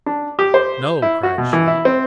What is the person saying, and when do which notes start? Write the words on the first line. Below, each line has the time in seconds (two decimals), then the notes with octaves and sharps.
"No!" cried she.
0.06 D4
0.39 G4
0.54 C5
1.02 E4
1.23 F#4
1.38 B2
1.53 E3
1.67 E4
1.85 C4